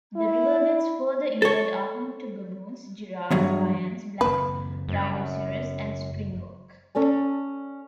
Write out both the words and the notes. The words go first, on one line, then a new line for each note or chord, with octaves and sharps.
The riverbeds further inland are home to baboons, giraffes, lions, black rhinoceros and springbok.
E4
A4 C#5
E2 G2 F#3
F#1 A#3 C4 B4
F#2
C#4 A4 D5 G#5